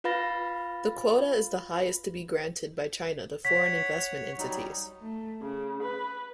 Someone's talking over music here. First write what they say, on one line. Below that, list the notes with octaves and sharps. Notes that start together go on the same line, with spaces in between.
The quota is the highest to be granted by China to foreign investment entities.
F4 B4 F5 B5 A6 A#6
C#5 F#5 B6
F#3 G3 D#4
A3
C#3
B4